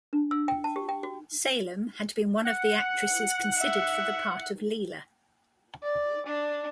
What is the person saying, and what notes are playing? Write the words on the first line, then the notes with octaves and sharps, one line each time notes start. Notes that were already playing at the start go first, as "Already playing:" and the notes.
Salem had been one of the actresses considered for the part of Leela.
D4
E6
G5
A5
G4
G5
F#4
F#5
E5
D5
D4